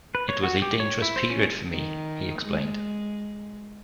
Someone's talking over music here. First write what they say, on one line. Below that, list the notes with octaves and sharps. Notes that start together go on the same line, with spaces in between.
"It was a dangerous period for me," he explained.
B4
C#5
F#4
G4
C#5
E4
C5
C#4
D#3
G#3